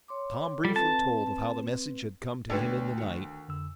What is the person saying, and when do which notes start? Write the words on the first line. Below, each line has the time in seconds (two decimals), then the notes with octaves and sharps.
Tom briefly told of how the message had come to him in the night.
0.08 C#5 C6 D6
0.65 G3 F4 A4
0.76 C4 B4 A5
2.50 D2 A3 B4 C#5 D5 G5
2.98 D#3 F#4
3.48 F2 D3 E6